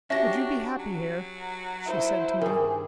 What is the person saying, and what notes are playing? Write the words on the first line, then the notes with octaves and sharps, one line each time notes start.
"Would you be happy here?" she said to me.
C#4 D4 F#4 G4 E5 A#6
F#3
E4 C5
G2 D#3 G#4 A#4